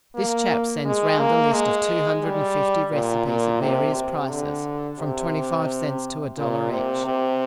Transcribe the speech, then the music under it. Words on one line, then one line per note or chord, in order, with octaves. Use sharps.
This chap sends round a list of two hundred and fifty recipes at various prices, from twenty-five cents to a dollar each.
A#3
G#3
A#3
G#3
G3
A#2
A#2
C3
C3
D3
C3
A#2
C3
C3